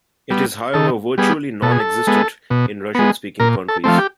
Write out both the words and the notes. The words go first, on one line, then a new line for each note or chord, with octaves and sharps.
It is however virtually non-existent in Russian-speaking countries.
G3 B3
D#3 A4
G3 B3 G#4
B2 A4
G#4
A4
G#3 B3
B2
G#3 B3
A#2 A#4
A4
F3 A3 C4
G4